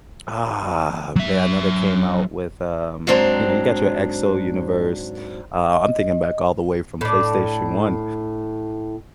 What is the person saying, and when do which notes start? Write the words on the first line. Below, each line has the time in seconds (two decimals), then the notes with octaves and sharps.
Ah man, I know they came out with, um you know, you got your Exo Universe, uh, I'm thinking back all the way from PlayStation One.
1.16 F#3 E5
3.07 G#2 F#3 C4 D4 C5 A#5
5.73 D#5
7.01 A2 D4